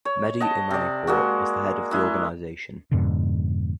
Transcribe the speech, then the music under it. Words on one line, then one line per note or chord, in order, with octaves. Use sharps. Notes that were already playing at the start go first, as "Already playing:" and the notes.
Mehdi Imanipour is the head of the organization.
C#5
D#5 F#5 A5
C3 D5
G#3 A#3 F#4
G#3 E4
F2 G#2 B2 D3